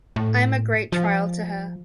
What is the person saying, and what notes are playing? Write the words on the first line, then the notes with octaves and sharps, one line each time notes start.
I’m a great trial to her.
A2
F3